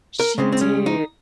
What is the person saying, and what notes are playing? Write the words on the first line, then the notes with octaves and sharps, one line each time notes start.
she did,
A#4
C#3 G#3 C4
C4
C#4
D#4